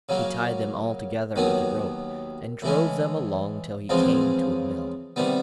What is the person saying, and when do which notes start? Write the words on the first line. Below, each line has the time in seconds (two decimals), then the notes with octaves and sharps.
He tied them all together with a rope, and drove them along till he came to a mill.
0.09 C#3 F#3 A#3
1.36 D#2 D#3 F#3 B3
2.62 A2 E3 G#3 C#4
3.89 E2 C#3 F3 G#3 C4
5.16 C3 D#3 G3 B3